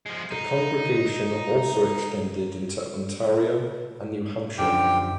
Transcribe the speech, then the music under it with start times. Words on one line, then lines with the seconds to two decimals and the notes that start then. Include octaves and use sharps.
The congregation also extended into Ontario and New Hampshire.
0.06 F3 G#3
0.31 D#4
4.58 F#2 D3 F3 G4 G5